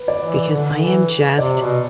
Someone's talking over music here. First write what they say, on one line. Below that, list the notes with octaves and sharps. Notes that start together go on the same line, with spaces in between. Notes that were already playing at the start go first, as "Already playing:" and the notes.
because I am just
Already playing: B4
D5
E3
D3
E3
C3 D5
B2